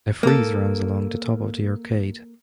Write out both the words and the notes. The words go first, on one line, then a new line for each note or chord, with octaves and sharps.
A frieze runs along the top of the arcade.
A#3 A4